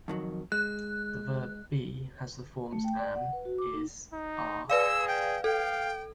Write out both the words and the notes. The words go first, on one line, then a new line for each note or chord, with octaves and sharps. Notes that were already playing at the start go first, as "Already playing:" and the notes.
The verb "be" has the forms "am", "is", "are".
F2 D#3 F#3
G#3 F#6
A3
G5
D5
F#5
B4
F#4
D6
D#4
D#4
G#4 B4 D5 F5 E6
G5
A4 F5 G5